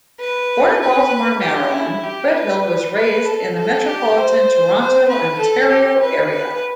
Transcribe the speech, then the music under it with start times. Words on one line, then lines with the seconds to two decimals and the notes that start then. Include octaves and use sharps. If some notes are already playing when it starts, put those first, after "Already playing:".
Born in Baltimore, Maryland, Redhill was raised in the metropolitan Toronto, Ontario area.
0.20 B4
0.81 B4
1.42 G4
1.73 E4
2.04 G4
2.35 B4
2.95 B4
3.26 A4
3.56 A4
3.87 G4
4.18 C5
4.79 C5
5.09 B4
5.40 A4
5.70 G4
6.01 B4
6.31 B4